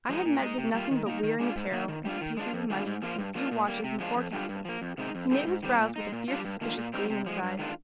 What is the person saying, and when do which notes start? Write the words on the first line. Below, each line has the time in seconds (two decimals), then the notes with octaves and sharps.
I had met with nothing but wearing apparel, and some pieces of money, and a few watches in the forecastle. He knit his brows with a fierce suspicious gleam in his eyes.
0.09 F3 G#3 D#4
0.26 A#2
0.42 G#3 D#4
0.58 C3
0.74 G3 A#3 F4
0.91 D#3
1.06 A#3 D#4
1.23 D#3
1.40 G#3 D4 F4
1.56 G#2
1.72 D#3 A#3 D#4
1.88 D#3
2.05 G3 D4 F4
2.21 D#3
2.37 G#3 D4 F4
2.53 F2
2.70 D#3 G#3 D4 F4
2.86 G#2
3.02 F3 A#3 F4
3.19 G2
3.35 F3 A#3 D4 F4
3.51 A#2
3.68 G3 A#3
3.84 C3
4.00 F3 G#3 D4 F4
4.16 F2
4.33 D3 G3 D4 F4
4.49 G2
4.65 F3 A#3
4.82 F2
4.98 C3 D#3 G#3 D#4
5.15 F2
5.31 D3 G3 C4 D#4
5.47 G#2
5.63 D#3 G3 C4
5.79 A#2
5.96 G#3 D#4
6.12 A#2
6.28 G3 D4 F4
6.45 G2
6.61 D#3 A#3 D4 F4
6.77 A#2
6.94 G3 C4 D#4
7.10 C3
7.26 F3 G#3
7.43 G2
7.59 D#3 G#3 D4 F4